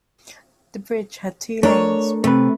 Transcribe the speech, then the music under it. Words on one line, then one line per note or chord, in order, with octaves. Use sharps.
The bridge had two lanes.
A3 D4 A#4 C#5
C3 A3 B4